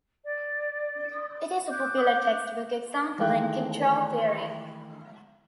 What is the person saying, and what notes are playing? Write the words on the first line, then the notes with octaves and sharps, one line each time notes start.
It is a popular textbook example in control theory.
D5
D6 F#6 G6
D#3 E3 G#3 A3 G5 F#6